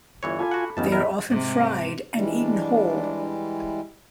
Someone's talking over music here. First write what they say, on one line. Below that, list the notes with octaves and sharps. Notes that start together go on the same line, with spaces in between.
They are often fried and eaten whole.
G1 E3 C#5
F4 A4 G#5 B5 D6
F#4 F#5
A1 F#2 C#3 E3 B3 D#5 A5
A#4 D#5 E5 B5
G#2 C3
E3 G3 G#3 D4